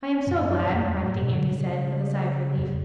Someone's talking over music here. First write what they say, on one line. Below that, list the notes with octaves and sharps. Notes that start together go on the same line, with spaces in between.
"I am so glad!" Raggedy Andy said, with a sigh of relief.
F#2
F#2
E2
F#2
A2
B2
D3
C#3
E2